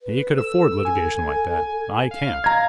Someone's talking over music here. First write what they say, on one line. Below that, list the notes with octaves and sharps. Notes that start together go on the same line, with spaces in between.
He could afford litigation like that; I can't.
B4
A4 E6
G#5
F5
D#5 A#5 G#6